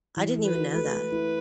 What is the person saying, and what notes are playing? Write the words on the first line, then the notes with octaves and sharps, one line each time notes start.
I didn't even know that.
E3
A4
B4
F#4
A3 B4
A3
E4